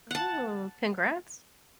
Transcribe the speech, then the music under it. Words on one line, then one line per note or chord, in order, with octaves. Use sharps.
Ooh, congrats.
F#5 A5